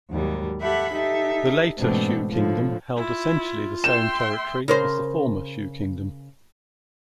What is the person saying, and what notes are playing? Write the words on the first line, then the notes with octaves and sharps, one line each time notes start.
The Later Shu kingdom held essentially the same territory as the Former Shu kingdom.
D#2 G#2 F#3 G3
G4 A4 E5 F#5 B5
D#4 G4 A4 E5
G#2 B2 E3 A3 C4 D4
A2 D3 F3
E4 F4
E5 G5 C6 E7
C#3 A#4 C5